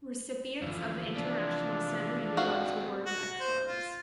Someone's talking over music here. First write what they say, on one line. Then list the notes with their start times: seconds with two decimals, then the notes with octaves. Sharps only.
Recipient of The International Center in New York's Award of Excellence.
0.62 D2 G2 E3 F3
1.16 C3 D4
2.37 G#3 C4 F#4 F5
3.06 F#4
3.40 C5
3.68 F4